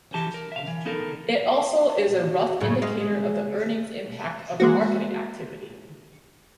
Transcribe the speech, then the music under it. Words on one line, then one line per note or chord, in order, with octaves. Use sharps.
It also is a rough indicator of the earnings impact of a marketing activity.
E3 G4 A5
A#4
E5 F5
E3
B3 D#4 A4 A#4
F#4
F#2 A2 C#3 G#4
G#3 F5
G#3 A#3 F#4